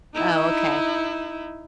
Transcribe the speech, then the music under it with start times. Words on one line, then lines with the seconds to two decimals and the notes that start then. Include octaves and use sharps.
Oh, okay.
0.14 D#4 E4